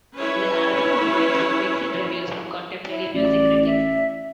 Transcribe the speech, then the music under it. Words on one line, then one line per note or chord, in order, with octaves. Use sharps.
The album was met with mixed reviews from contemporary music critics.
C#4 E4 B4 C#5
E4
A1 D5
E5